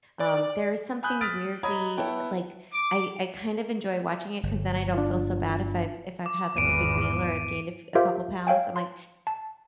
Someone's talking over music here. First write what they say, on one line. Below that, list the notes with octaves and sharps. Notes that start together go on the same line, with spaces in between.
um, there is something weirdly, like, I I kind of enjoy watching it 'cause then I don't feel so bad if I've if I've had, like, a big meal or I've gained a f a couple pounds, I'm like,
D5
G#5 B5 D#6 F#6 G6
D#6 F6 A6 B6 D7
C#5 D#5 A#5 B5 D#6 G#6
B3 E4 C#5 G5 A5
D6
G1
D4 F4
D6
G#1 E2 D7 D#7
F4 G4 A#4 C5 E5 F5
C#5 F5 G5 G#5
C6
A5